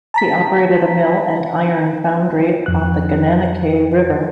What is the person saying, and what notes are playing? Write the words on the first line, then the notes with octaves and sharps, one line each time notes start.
He operated a mill and iron foundry on the Gananoque River.
A5 A#5 B6
F2 F#6